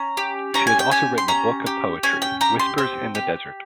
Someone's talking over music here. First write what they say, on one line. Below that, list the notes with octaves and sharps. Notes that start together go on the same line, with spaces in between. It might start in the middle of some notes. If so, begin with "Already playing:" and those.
She has also written a book of poetry, "Whispers in the Desert".
Already playing: C#4 A#5
G4
C#4 A#5
G#5
G5
G4 G#5
C6
C#4 A#5
G4
C#4 G#5
G5
G4 A#5
C6
C4 G5
G4